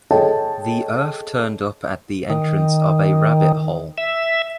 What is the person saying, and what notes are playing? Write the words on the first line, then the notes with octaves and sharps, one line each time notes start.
The earth turned up at the entrance of a rabbit-hole.
G#4 A4 C#5 D#5 G5 A5
D#3
E5